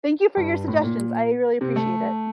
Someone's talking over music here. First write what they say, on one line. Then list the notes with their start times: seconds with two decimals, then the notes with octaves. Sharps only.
Thank you for your suggestions, I really appreciate it.
0.37 G2
0.68 A2
0.84 A#2
1.61 C3
1.76 A3